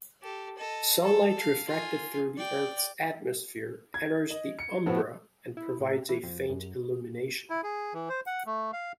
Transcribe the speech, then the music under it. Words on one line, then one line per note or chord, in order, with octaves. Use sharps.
Sunlight refracted through the Earth's atmosphere enters the umbra and provides a faint illumination.
G4 A4
A4 D#5
A4
F5
F4 G#5
D5 G5
G#6
D#5
C#7
A2 F3 B3 F#4
E4
A2
E3
F2
F#2
E4
G#4
E3
C5
F#5
A3
F5